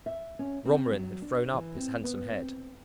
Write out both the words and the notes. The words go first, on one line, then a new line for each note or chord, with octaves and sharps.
Romarin had thrown up his handsome head.
E5
C#4
C4
F#3
D4
E3
C4
B3
C4